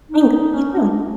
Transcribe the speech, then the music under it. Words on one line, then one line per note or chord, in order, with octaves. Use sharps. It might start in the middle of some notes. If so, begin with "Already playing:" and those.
Thanks, you too.
D#4
D#4
C#4
D#4
D4